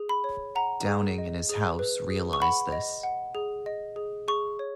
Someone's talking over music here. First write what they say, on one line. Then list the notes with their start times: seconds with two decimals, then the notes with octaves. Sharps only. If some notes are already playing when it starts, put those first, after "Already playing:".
Downing and his house realized this.
Already playing: G#4
0.09 B5
0.24 C#5
0.55 F#5 A#5
0.87 G#4
1.18 D#5
1.49 G#4
1.79 B4
2.10 G#4
2.33 C#6
2.41 F#5 B5
2.72 D#5
3.03 F#5
3.35 G#4
3.66 D#5
3.96 G#4
4.28 G#4 C#6
4.59 C#5